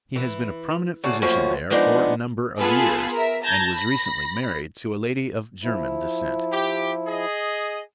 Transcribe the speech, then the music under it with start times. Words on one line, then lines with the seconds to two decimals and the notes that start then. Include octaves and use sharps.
He has been a prominent physician there for a number of years, and was recently married to a lady of German descent.
0.16 E3
1.04 C#3 A3 D4 F#4
1.22 F#2 A2 F3 A#3 C#4
1.70 F3 G#3 B3 D4 D#4
2.59 B3 F4 G#4 A4 B4
3.12 A#4 E5
3.43 A5 A#5 G6 G#6 A#6
3.74 B5 A#6
5.64 F3 E4
6.52 G4
7.07 G#4 D#5